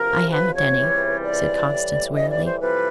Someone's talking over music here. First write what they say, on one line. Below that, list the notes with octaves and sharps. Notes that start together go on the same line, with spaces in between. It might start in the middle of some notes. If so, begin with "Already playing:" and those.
"I haven't any," said Constance wearily.
Already playing: D2 C3 F3 A#4
B4
C#5
C#2 C3 E3 G3
D5
A2 E3 G3
D#5
D5
C5
F2 C3 E3 G3 B4